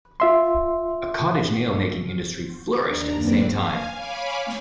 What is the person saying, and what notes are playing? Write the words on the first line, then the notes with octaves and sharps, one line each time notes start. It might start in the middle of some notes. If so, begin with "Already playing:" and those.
A cottage nail making industry flourished at the same time.
F4 E5 C6
D#2 D4 A#5
F#2 A#3 C4 B4 D5
F5 G#5
C#5 F5 G#5 B5 D6